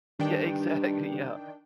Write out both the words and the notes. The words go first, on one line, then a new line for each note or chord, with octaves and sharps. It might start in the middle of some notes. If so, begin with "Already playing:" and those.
Yeah, exactly, yeah,
G2 D#3 D4 G5